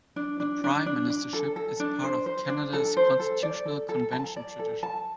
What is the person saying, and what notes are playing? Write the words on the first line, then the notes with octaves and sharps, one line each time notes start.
The prime ministership is part of Canada's constitutional convention tradition.
D4
D4
D4
D4
D4
A4
A4
D4
C5
C5
D4
A4
C5
A4
D5
A4
A4
A5
D5
A4
A5